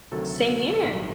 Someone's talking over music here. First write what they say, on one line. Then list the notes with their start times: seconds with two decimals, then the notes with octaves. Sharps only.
Same here.
0.12 D2 C3 D#3 F#3 A4
0.74 A4
0.83 A#1 G#2 D#3 F#3 A#4